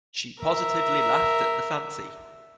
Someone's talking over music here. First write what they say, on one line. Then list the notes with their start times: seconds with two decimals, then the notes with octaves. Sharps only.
She positively laughed at the fancy.
0.41 A#4 E5